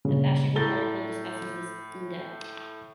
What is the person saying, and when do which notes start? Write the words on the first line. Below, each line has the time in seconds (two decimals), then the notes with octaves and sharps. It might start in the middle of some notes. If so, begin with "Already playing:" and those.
The fashion boot article discusses this in depth.
0.05 G2 A#2 C#3
0.56 A2 A4 A#5 A6 G7